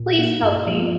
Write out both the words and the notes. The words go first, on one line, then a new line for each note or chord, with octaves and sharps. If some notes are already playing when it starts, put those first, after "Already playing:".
Please help me.
Already playing: A#2
A#3 D#4
G2
F3 A#3 F4